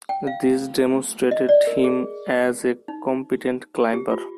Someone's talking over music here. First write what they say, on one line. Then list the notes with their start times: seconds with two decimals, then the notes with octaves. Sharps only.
This demonstrated him as a competent climber.
0.09 G5
0.27 F5
1.31 D#5
1.49 D5
1.67 A#4
1.84 G#4
2.88 D#4
3.93 G4
4.11 F4